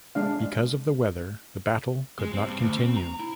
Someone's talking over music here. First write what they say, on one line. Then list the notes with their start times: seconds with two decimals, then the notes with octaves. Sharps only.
Because of the weather the battle could not continue.
0.15 G#3 D4 F5
2.19 G#3
2.33 C4
2.46 G2
2.59 D2
2.76 C4
2.96 A#5
3.20 E4